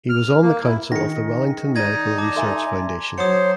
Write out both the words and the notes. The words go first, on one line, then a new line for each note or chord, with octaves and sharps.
He was on the council of the Wellington Medical Research Foundation.
F6
A#3
E4
D#3 G#4 A#6 C#7
D#4 D5 D#5 G#6 A#6 D#7
A5 D6
A4 E5 G#5 A#5 C6
F#3 C5 C#5 D#6 C#7